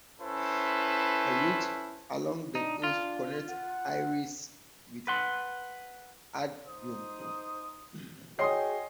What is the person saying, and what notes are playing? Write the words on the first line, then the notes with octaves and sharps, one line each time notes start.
A ridge along the coast connects Eyeries with Ardgroom.
C#4 E4 A4 B4 C5
D4 D#4
F4
F#5
B4 F#5 C6
D#4 C5 D#6
F#4 G#4 C#5 D#5 G5 C6 D#6 C7